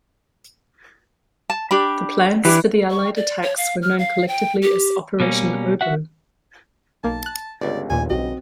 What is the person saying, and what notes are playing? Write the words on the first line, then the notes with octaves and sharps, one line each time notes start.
The plans for the Allied attacks were known collectively as Operation Oboe.
A5
D4 G4 B5
E3 D4 G4
C#6
D5
C#5
F5
F6
F5
G5
G4
B2 G3 A#3 C4 C#4
F#4 E5 F#5
B1 A#3 A5
F#6
G1 C#2 D5
D#2 A#2 G#5
B1 C4 F#4 D#5